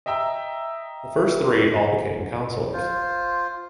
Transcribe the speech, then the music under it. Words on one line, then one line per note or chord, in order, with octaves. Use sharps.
The first three all became councilors.
D#5 E5 G5 A#5 E6
F4 C5